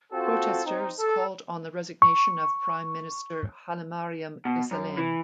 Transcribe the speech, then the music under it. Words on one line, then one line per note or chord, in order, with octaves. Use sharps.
Protesters called on the resignation on prime minister Hailemariam Desalegn.
C4 F4 F#4 A4
C4 D#4
A4
C#6
B2
F#2
E3